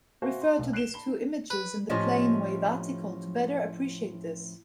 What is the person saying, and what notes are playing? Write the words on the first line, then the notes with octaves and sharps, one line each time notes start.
Refer to these two images in the plane wave article to better appreciate this.
F#4 C5 E5 F5 G#5
C6
B1
F#6 C7 D7 E7 G7
A5 B5 G7
D#4
B4
A2 F3 C#4 G4 D#5